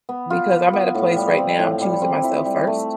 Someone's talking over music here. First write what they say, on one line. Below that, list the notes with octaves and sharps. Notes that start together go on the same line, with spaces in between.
because I'm at a place right now, I'm choosing myself first.
B3
F4
B4
B3
A2
G3
C4
A2
G3
C4
E4
G3
A3